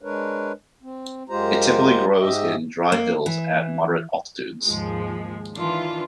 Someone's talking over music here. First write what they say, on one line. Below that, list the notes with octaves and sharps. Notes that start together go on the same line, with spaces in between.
It typically grows in dry hills at moderate altitudes.
G#3 D4 A#4 B4 C#5
C4
F#2 G#3 F4 G4 C5 A#5
G#2 G4 D#5 E5
A#3
E3
D#2 G#2 F3 G#3
D#3 E3 D4 F4